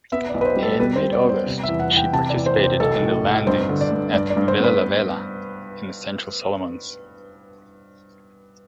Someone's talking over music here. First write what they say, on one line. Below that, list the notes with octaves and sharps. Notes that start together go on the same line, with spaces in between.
In mid-August, she participated in the landings at Vella Lavella in the central Solomons.
B3 E5
D5
B1
B4
C5
G3
A4
G3 B4
C5
G3
D5
B3
C5
C3
E5
E2
F#5
E2
G5
C3 A5
D5
E2
C5
C3
C5
B1 A4
A2
B1
G2 C5
D3
D5
G2
G2 D5
D5
G2
C5
B3 B4